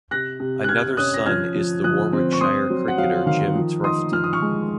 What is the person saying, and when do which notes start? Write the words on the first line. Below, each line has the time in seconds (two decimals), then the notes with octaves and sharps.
Another son is the Warwickshire cricketer Jim Troughton.
0.11 C3 F#6 A#6
0.40 C3
0.64 F#6
0.69 C3 F6 G#6
0.97 C#4 D#6 F#6
1.14 A#6
1.26 F3 F6 G#6
1.55 F3
1.84 F3 D#6 F#6
2.13 C4
2.32 C#6
2.40 C4 C6 D#6
2.70 F#3
2.88 F#5
2.98 F#3 F5
3.26 D#3 F5
3.55 F3
3.83 D#4 C6 D#6
4.12 F3 F6
4.24 D#6
4.33 C#6 F6
4.42 G#3